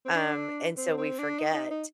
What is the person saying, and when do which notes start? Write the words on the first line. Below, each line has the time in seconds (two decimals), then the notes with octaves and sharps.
um, and so we forget.
0.05 C4
0.14 D4
0.77 C4
0.98 C4
1.19 D4
1.39 D#4
1.54 D#4
1.70 D#4